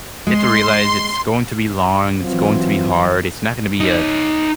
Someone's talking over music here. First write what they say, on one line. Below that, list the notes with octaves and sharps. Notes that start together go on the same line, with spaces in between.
You have to realize it's going to be long, it's going to be hard, it's not gonna be, uh,
G#3 C6
E3 F#3 C4 F4
D#4 C#5